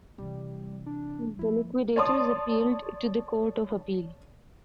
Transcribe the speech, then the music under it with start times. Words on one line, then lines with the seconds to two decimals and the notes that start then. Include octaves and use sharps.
The liquidators appealed to the Court of Appeal.
0.18 C3 E3 G3
0.86 D4
1.39 F3 A#3 E4
1.96 C#5 D5 A5 C6 D#6